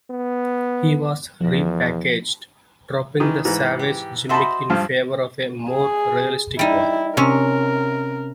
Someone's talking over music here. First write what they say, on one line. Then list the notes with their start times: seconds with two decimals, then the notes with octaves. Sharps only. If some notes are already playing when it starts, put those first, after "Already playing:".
He was repackaged, dropping the savage gimmick in favour of a more realistic one.
0.10 B3
1.41 E2 F3
3.20 D#3 E3
3.45 G#2 E3
3.79 G4
4.29 F#4 C5 D#5 E5 A5 B5
4.70 G2 F3 F4
5.69 G#4
6.59 G3 D#4 E4
7.17 C3 C#4 A#4